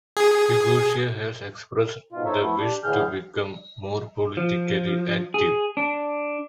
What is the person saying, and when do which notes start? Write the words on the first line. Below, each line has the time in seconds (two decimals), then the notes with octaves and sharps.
Higuita has expressed the wish to become more politically active.
0.17 G#4
2.12 G#2 B2 F4
2.25 D#4 A4 C5 C#5 E5
2.41 A3 B3 E4
2.59 D4 G4
2.83 A2 D3 E3 G#4 F6 G6
4.37 F3
5.34 G#4
5.77 D4